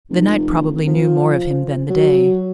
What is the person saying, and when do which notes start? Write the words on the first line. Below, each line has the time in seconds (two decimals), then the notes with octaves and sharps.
The night probably knew more of him than the day.
0.10 F1
0.87 F3
1.90 F#3